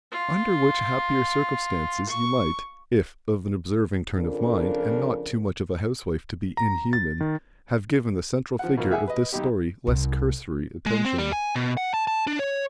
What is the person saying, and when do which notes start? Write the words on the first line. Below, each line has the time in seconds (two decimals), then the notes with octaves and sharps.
Under which happier circumstances you might--if of an observing turn of mind and not too much of a housewife to be inhuman--have given the central figure of this story less cursory attention.
0.12 F4
2.09 C#6
4.17 F2 C#3 F3 D4 A#4
6.57 A#5
6.93 A6
7.21 D#3
8.59 F3 F#5
8.77 B2 F3 A#3
8.90 G4 G#4 E5 F#5 G#5
9.07 B4 D#5
9.33 B1 D#4 G4
9.87 C2
10.86 G#3
11.05 C4
11.18 G3
11.32 G#5
11.56 B2
11.77 F#5
11.94 A5
12.07 A5
12.27 D4
12.39 C#5